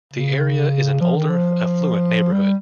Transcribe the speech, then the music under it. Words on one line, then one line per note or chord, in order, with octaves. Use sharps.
The area is an older, affluent neighbourhood.
C#3
F3
D#3
F3
G3